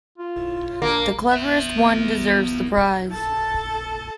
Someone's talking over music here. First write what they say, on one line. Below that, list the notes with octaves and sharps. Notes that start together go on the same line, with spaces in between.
The cleverest one deserves the prize.
F4
A#3 D4
B3 E5
A4 A5